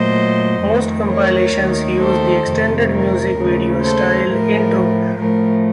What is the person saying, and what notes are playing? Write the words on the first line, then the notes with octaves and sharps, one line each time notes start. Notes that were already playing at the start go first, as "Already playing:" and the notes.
Most compilations use the extended music video-style intro.
Already playing: A#2 F#3 A3 C5 D#5
F2 D#3 A3
A#4 C#5
D#2 D#3 A3
A4 C5
F2 C3 D#3 A3
A#4
D#2 C#3 A3
A4 C5
A2 F3 A3 A#4
A2 F3 A3 A#4